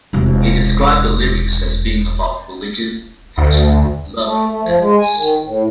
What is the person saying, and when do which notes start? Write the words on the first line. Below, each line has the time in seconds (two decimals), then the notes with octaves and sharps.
He described the lyrics as being about religion, passion, love, and loss.
0.13 E1 C3
3.38 D2
4.22 A3
4.47 A3
4.63 F3
4.79 G#3
4.98 G#5
5.17 D#3
5.44 A2